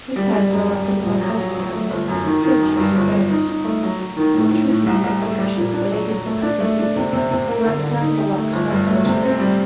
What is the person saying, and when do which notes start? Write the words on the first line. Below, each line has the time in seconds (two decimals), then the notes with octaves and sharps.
This time the door opened upon a handsome cabinet, sumptuously furnished, in which was seated upon cushions a lady of surpassing beauty, who at the sound of the lock sprang towards Fouquet.
0.16 G3
0.33 G3
0.51 F#2
0.69 G3
0.86 G3
1.03 A#1
1.21 F#3
1.38 F#3
1.55 F#3
1.73 A3
1.91 G1
2.08 F#2
2.25 D#3
2.43 D#3
2.60 F#2
2.77 G2
2.95 G1
3.12 G1
3.30 D#4
3.47 D#4
3.64 A3
3.83 F#3
4.00 F#3
4.16 D#3
4.34 A2
4.51 A2
4.69 A2
4.86 C2
5.04 C2
5.22 A3
5.39 G3
5.57 A#2
5.73 D4
5.92 F#3
6.08 F#3
6.26 A3
6.43 D4
6.60 A3
6.79 D4
6.96 C3
7.13 C3
7.31 C3
7.48 A#3
7.65 D3
7.83 D3
8.00 D#4
8.18 G4
8.35 A3
8.53 G1
8.70 G2
8.87 A3
9.05 C3
9.23 C4
9.39 G3